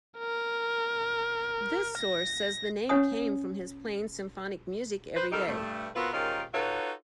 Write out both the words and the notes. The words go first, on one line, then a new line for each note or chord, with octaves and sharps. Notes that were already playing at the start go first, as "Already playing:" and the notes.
This source says the name came from his playing symphonic music every day.
A#4
A#6
C#4 C#5 F#5 G#5 D#6
B4 C5
F2 G3 D#4 G4 A4 A#4
G2 A3
B3 C4 F4 F#4 A#4 B4
G#2 D#3 C#4 F4 G4 A#4
D#4 F4 F#4 A4 B4 C#5